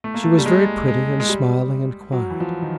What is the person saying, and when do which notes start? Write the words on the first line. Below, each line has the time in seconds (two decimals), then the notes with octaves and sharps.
She was very pretty and smiling and quiet.
0.04 A3
0.14 A#3
0.24 A3
0.38 G3
0.46 G#3
0.88 G#3
1.20 G#3
1.29 G3
2.12 F#3
2.30 E3
2.40 F3
2.62 D#3